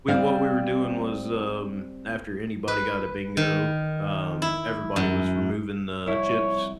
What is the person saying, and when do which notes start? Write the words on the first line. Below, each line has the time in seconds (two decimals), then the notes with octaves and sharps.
we what we were doing was, um, after anybody got a bingo, um, everybody was removing the chips,
0.08 G3 C4 F5
2.68 B4
3.37 D#3
4.42 E4
4.96 F#2
6.06 C2 F2 E4 C#5